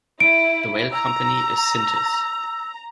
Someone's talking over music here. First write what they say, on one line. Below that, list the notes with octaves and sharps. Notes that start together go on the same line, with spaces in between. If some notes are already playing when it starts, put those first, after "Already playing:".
The rail company is Syntus.
E4 D7
A#5 E6